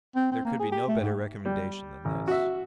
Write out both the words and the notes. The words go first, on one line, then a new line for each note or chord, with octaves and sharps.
There could be no better recommendation than this.
C4
C4
A#3
G#4
G4
A3
G#2
G3
A1
F#4 E5